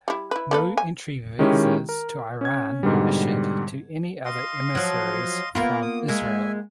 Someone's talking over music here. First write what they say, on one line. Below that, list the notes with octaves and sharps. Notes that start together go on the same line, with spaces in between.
No entry visas to Iran were issued to any other emissaries from Israel.
G3 E4
E4 B4
A#3 A4 B4
G#5
D#3 G#3 C#4 E4 G4
A#4
C#4 G#6
G#2 B2 D3 G3
D#5 F5 C6
F3 F#3
A#3 B3 E4 F4 A#5
D#6
G#3 A#3 E5 G#5